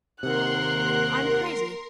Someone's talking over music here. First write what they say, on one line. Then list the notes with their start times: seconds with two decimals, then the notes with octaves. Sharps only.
I'm crazy!
0.23 D#2 C3 A#4 F#5 C6 F#6